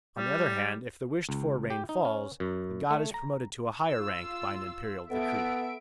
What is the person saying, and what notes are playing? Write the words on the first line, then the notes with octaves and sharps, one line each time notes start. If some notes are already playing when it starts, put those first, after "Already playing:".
On the other hand, if the wished-for rain falls, the god is promoted to a higher rank by an imperial decree.
G3
C#2
G4
D#4
C#4
F#2
A3
A#5
F4 E6
B3 A4 E5 D7